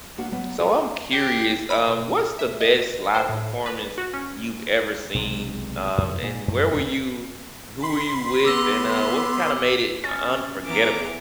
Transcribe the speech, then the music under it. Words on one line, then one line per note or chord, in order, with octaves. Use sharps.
So I'm curious, um, what's the best live performance you've ever seen, um, and where were you who were you with, and, uh, what kinda made it u unforgettable?
A#3 B3 D4 F#4
F#3 B3
F4 F#4 A4
G4
B5
B2
E5
D#5
C5
A2
B4
F#4
C#4
B1 C3 D#3 G#3
F2
A#2
F#2
D1 G#1 D4
B5 C6
B3 D6 E6 A#6
C#4 A6
E3 B3 A#5 D6